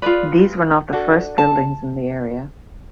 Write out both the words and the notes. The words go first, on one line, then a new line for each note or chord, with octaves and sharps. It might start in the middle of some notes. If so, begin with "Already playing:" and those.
These were not the first buildings in the area.
F4 G#4 B4 D5
D4 F#4 A4
A5